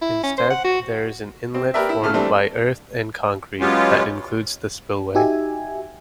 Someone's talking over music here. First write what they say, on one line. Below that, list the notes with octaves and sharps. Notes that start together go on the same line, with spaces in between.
Instead, there is an inlet formed by earth and concrete, that includes the spillway.
E4
C#4
C5
F#5
F#4
C4
G4 A#4 B4 D5 E5
E4
A#2 C#3 A3 F6
E3 G3 A3 C4 D4
F#3 G#3 B3 C#4 F4 G4
D#4 F#4 G4 E5 G#5